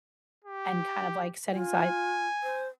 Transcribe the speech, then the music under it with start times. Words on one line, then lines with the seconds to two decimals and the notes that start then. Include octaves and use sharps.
and kind of like setting aside
0.44 G4
1.53 F4 G#5
2.43 C5